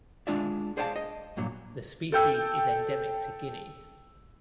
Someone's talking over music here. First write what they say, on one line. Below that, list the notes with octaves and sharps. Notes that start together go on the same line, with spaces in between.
The species is endemic to Guinea.
G#3 D4 F4 D5 E5
G#4 C5 D5 F5 G5 A5
D#5
G2 A#2 F#3
A4 G5 E6